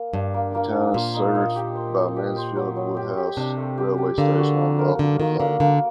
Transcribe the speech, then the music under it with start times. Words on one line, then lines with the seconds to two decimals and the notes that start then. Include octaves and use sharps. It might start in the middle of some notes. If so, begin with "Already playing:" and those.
The town is served by Mansfield Woodhouse railway station, on the Robin Hood Line.
Already playing: A#3
0.13 G2 D4
0.34 A#3
0.55 A#3
0.74 D4
0.94 A#2 C5
1.15 D#4
1.35 D#4
1.56 G4
1.75 C5
1.96 D#4
2.16 G4
2.36 C5
2.56 F#3
2.76 F#3
2.97 G4
3.17 G4
3.37 C3 D4
3.57 A3
3.78 G4
3.98 G4
4.18 D3 A#3
4.38 F#4
4.58 A#3
4.79 A#4
4.99 D3 A#3
5.19 D#3 A#3
5.39 D3 A#3
5.59 D3 A#3